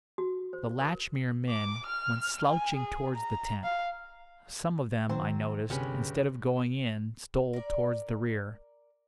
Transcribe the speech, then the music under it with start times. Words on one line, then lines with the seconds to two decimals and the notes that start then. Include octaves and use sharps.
The Latchmere men went slouching towards the tent; some of them, I noticed, instead of going in stole towards the rear.
0.18 F#4
0.53 C5
0.81 A#4
1.49 D6
1.87 F6
2.46 G#5
2.76 G#4
3.15 A#5
3.64 F5
5.09 D#3 F#3 C4
5.70 G1 C3 B3 C#4 G4 G#4 B5
7.53 A#4 D5